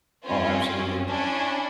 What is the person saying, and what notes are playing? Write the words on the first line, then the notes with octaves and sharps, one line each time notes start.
Oh, absolutely.
C4 C#4 F4
C#4 D4 E4 G#5